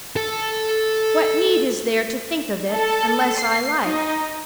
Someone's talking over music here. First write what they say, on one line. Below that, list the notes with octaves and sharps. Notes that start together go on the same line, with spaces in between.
What need is there to think of it, unless I like?
A4 A5
A4
C7
D#4